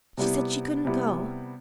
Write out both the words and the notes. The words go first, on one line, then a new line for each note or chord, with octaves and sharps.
She said she couldn't go.
C3 G3 B3 E4 G4
C3 G3 B3 E4 G4